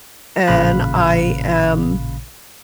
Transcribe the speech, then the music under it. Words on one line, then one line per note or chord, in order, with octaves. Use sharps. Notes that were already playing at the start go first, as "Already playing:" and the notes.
and I am
A1 A#2 C#3 F5 B5 F#6